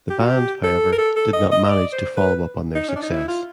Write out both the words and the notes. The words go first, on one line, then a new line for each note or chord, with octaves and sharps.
The band, however, did not manage to follow up on their success.
G4
F#4
G4
A4
A#4
A4
A4
D#5
D#5
D#5
D5
C5
B4
D#4
C#4
D4
D#4
E4
F4